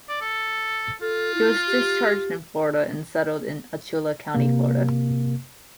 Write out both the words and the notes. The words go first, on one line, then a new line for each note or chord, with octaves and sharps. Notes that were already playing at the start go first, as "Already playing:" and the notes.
He was discharged in Florida and settled in Alachua County, Florida.
D5
A4
F4 A4
E4
G4
C3 A#3